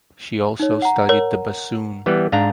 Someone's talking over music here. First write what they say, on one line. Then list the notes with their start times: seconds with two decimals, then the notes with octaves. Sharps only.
She also studied the bassoon.
0.60 D#4 C#5
0.82 F#5 A#5
1.09 A#4 C#5
2.06 E3 G3 B3
2.32 G#2 D4 F5 A#5